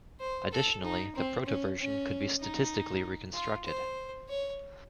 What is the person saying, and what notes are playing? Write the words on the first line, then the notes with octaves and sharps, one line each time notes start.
Additionally, the protoversion could be statistically reconstructed.
C5
A4
D#4
C4
C#4
C#4
D#4
F4
C5
C#5